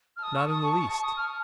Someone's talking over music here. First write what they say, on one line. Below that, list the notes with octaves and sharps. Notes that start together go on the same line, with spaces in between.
"Not in the least."
F6
A5 D#6
C#6
D#6
C#6
C#6
C#6
D#6
F6